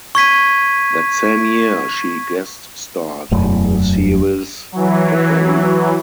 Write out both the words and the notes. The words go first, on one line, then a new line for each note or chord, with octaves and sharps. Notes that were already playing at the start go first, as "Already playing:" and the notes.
That same year she guest starred in the series "Doctor Who".
C#6 G#6 B6 D#7
E1 F#2 F#3 A3
E3 F#3